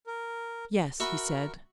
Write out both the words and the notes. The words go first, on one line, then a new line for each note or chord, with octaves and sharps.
"Yes," he said.
A#4
F#4 A#4 E5 B5